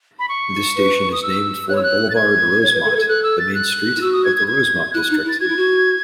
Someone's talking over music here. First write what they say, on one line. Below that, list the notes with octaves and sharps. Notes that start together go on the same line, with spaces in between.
This station is named for boulevard Rosemont, the main street of the Rosemont district.
B5
C#6
B4
D#6
E6
C#5 F#6
E6
F#6
A6
G#6
C#5
B4
A4
B4
A4
A4 F#6
E6
A6
F#6
E4
F#4 E6
D#6
G#6
G#6
G#6
E4 F#6
D#4
E4
A6
F#4 G#6
E4
F#4